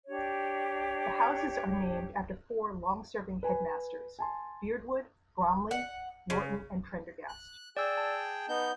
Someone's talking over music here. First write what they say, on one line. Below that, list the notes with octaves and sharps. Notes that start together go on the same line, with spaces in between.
The Houses are named after four long serving Headmasters; Beardwood, Bramley, Norton and Prendergast.
D4 G4 C#5
B4 G#5
G#5 A5 C6
F#5
C#3
F#6
G#4 D5 G5 E6
A5
B3 D#4 G6